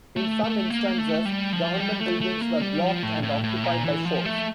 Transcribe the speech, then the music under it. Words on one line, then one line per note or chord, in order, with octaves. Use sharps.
In some instances, government buildings were blocked and occupied by force.
A3
A3
A#3
A3
G3
F3
G3
A3
A3
A#3
G3
F3
A2
A2
A2
A#2
E3
F3
A3